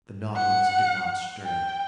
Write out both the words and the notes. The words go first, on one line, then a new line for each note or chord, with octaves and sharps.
The Nautilus did not stir.
F#5
G5